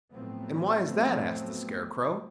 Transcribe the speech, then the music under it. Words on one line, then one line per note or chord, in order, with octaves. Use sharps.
"And why is that?" asked the Scarecrow.
A2 F3 F#3 A3 B3 C4